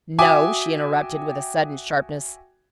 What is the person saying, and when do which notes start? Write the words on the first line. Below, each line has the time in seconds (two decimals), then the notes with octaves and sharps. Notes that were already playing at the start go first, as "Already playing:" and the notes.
"No," she interrupted, with a sudden sharpness.
0.19 F#4 E5 G5 G#5 D6 D#6